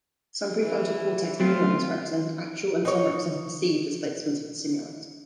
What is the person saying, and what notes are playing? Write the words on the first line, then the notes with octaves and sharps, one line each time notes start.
Some prefrontal cortex neurons represented actual and some represented perceived displacements of the stimulus.
E3
F#3 A3 C4 F4
D#4 C#5